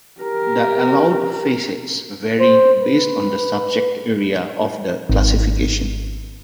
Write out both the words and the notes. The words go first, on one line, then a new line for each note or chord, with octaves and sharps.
The allowed facets vary based on the subject area of the classification.
G4 A#4
C5
B4
G#1